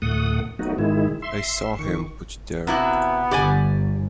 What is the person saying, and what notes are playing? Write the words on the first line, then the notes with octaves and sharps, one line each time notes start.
I saw him put it there.
D2 A2 A3 F#5 D#6
F#3 A3 B3 D#4 F#4
G#2 D#3 G#3 E4
E5 C6
D#3 C#6
C3 B3 E4 F#4
G1 G4 D5 G#5